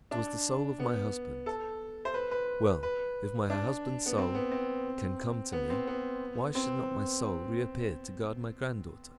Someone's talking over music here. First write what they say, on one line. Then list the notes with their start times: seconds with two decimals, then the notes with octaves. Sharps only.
It was the soul of my husband!--Well, if my husband's soul can come to me, why should not my soul reappear to guard my granddaughter?
0.11 D4
0.79 B3
1.46 A4
2.05 C5
2.14 B4
2.31 B4
2.83 B4
3.50 D4
4.06 B3
4.18 C4
4.35 B3
4.52 C4
5.52 B3
5.70 C4
5.87 B3
6.55 C4